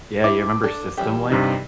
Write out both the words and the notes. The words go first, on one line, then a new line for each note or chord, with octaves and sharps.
Yeah, you remember SystemLink?
E4 D6
D4 A4
E3 G3 G4
G2 C3 D#4